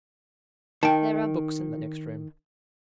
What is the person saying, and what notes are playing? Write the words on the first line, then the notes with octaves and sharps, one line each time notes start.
There are books in the next room.
D#3 G5 A5